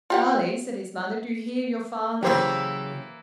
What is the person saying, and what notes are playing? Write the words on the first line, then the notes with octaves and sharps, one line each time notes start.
"Charlie," said his mother, "do you hear your father?"
F4 G4 F#5
C#3 E3 F#3 A#3 G4 C5 E5